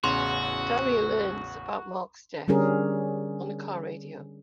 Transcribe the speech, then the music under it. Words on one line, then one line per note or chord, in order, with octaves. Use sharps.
Daria learns about Mark's death on the car radio.
A1 E2 C#3 F#4 C6
D3 G3 C#4 G#4 A#4